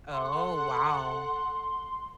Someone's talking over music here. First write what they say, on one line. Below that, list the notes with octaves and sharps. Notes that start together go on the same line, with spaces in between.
Oh, wow.
A4 F#5 C6